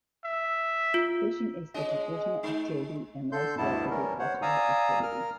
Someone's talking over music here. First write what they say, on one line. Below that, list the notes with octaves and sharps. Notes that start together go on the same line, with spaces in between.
Fishing is the traditional activity and low-scale agricultural activity.
E5
F4
G#3 C#4 D#5
G#3 D#4
D3 A4 C6 G6
D2 G2 B2 B3 E4 A5
E3 G3 C#4 A#4
C5 C#5 F#5
D5 F5 G#5 A#5 D#6 E6
A#4 F6